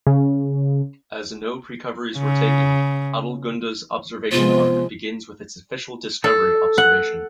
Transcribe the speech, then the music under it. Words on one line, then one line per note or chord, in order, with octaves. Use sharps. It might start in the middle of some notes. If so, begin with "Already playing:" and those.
As no precoveries were taken, "Adelgunde"s observation arc begins with its official discovery observation.
C#3
C#3
C3 F3 G#3 B3 F4 C5
A4
F#5